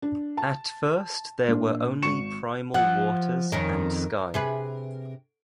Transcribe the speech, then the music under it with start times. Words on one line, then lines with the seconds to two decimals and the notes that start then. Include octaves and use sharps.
At first there were only primal waters and Sky.
0.02 D4
0.37 A5
1.48 A#2 D4
2.02 G#1 C#6 C#7 E7
2.74 F3 F#5
3.52 F2 D#3 C#4 A#4
4.34 C3 G#4 B4